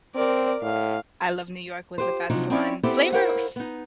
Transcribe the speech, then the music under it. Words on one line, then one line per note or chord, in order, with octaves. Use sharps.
I Love New York was the best one. Flavor Fl
C4 A#4 D5
A2 F5
F4 G4 B4 C5
C3 F3 F#3 D4 D#4
C4 C#4 D#4 E4 C#5 D5
B3 C4 E4 G4 A4 C5
E4 A#4 C5 C#5 F5 F#5
B3 D#4